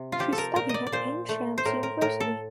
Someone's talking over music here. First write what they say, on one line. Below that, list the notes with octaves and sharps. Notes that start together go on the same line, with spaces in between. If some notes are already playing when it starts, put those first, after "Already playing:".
She studied at Ain Shams University.
Already playing: C3
F4
F3 G4
A4
A#4
A#2 A#4
D5 D#5
D5
A#2 C5
A3
C5
A2 A#4
A#4
A2 A#4
A4